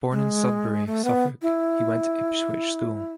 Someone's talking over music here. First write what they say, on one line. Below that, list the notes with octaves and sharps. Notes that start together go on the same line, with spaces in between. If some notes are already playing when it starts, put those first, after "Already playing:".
Born in Sudbury, Suffolk, he went to Ipswich School.
G#3
A3
B3
E4